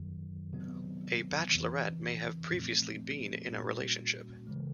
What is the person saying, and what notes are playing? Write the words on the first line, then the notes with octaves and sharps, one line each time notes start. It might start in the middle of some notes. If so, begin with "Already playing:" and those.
A bachelorette may have previously been in a relationship.
Already playing: F#2 D#3 F#3
C3 D#3 F#3 B3
F2 C3 E3
A#2 F3 A3 C4
A#2 G3 A#3 C#4 F#4
C#3 E3 G#3